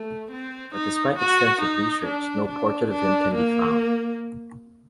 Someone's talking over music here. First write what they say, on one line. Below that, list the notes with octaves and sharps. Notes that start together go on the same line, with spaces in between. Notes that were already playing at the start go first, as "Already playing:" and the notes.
But despite extensive research no portrait of him can be found.
Already playing: A3
C4
D#4
F#4
D#4
D4
D4
D4
A#3